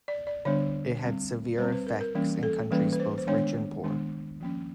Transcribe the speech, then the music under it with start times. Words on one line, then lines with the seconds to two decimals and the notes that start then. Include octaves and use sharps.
It had severe effects in countries both rich and poor.
0.08 D5
0.27 D5
0.45 D3 G3 B3 D4 C#5
1.02 G3 C4
1.58 G3 C4 C5
1.72 B4
1.87 A#4
2.01 A#4
2.15 E3 G3 A#3 C#4
2.43 A4
2.71 E3 G3 A#3 C#4 B4
2.93 B4
3.00 C5
3.18 C5
3.27 D#3 G#3 B3 D4 C#5
3.84 D#3 G#3 B3 D4
4.40 F3 A#3 C#4